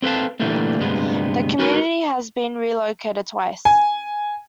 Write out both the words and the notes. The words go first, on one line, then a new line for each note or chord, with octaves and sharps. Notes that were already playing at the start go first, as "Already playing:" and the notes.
The community has been relocated twice.
C4 A4 B4 F5 A5
A#2 D3 E3 G3 A3 A#3
D2 G2 C3 G#3 B3
D#4 F#4 A#4 B4
G#5